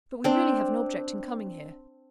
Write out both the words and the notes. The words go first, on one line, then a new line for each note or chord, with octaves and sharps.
But we really have an object in coming here.
C4 D4